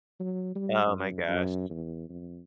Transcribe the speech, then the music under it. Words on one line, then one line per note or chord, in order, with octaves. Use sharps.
Oh my gosh.
F#3
G3
F#2
F#2
E2
F2